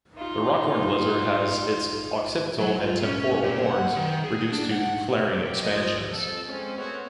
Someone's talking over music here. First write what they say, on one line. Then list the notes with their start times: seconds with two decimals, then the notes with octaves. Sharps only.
The rock horned lizard has its occipital and temporal horns reduced to flaring expansions.
0.16 D#4 F4
2.60 F#3
2.81 F4
3.02 C#4
3.43 A#2
3.66 F#5
3.96 D#3
4.24 G#4
4.52 D4
4.71 F#5
5.24 C#3 F#3 G4
5.62 F3 D#5
6.10 F2 A4
6.48 G#3 C4 C#4
6.78 A3 B3 C4 F#4 C#5